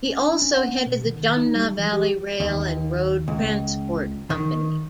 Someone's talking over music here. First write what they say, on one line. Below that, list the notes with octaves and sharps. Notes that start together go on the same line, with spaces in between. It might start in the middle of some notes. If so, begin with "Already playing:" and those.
He also headed the Jumna Valley Rail and Road Transport Company.
C#4
D4
C#4
F#5
B3
B2
D#3
D#4
G3
E3
G4
D#2
C#2
D#3